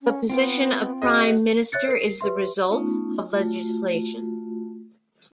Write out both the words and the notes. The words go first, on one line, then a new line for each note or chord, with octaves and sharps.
The position of Prime Minister is the result of legislation.
C#4
B3 C4 F4 G5
F#4 G#4 D#5
C#5 E5 F#6 A6 C#7
A#4 C7
G4 B4 E5 C6
A3 B3 C#4 D#4 F4
A3 F4 F#4